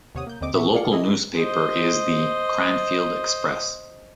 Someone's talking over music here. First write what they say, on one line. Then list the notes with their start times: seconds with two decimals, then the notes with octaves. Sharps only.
The local newspaper is the "Cranfield Express".
0.15 D#2 C3 C#5 F#5 D#6
0.27 A#3 G6
0.41 D#2 D3 C4 D#5 D6
0.54 A#2 F#4 E5 C#6
0.73 C3 G#4 D5 F5 C#7
0.91 E4 G#4 D#5
1.39 C5 D#5